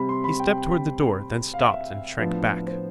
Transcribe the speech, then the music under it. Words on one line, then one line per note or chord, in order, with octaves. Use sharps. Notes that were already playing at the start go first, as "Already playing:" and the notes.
He stepped toward the door; then stopped and shrank back.
Already playing: C3 G3 C4 B5
C6
B5
G5
F5
E5
A2 F3 B3 D4 F4
C5